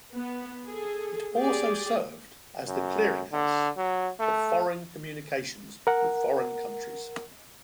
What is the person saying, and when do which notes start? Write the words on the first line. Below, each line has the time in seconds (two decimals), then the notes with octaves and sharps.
It also served as the "clearinghouse" for foreign communications with foreign countries.
0.15 B3
0.67 G#4 A4
1.37 G4 G#4 D5
2.67 F#2
3.32 D3
3.77 F#3
4.19 A3
5.87 A#4 F#5